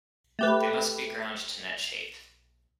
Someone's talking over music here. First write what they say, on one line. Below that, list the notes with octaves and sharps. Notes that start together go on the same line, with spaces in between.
They must be ground to net shape.
A3 G4 B4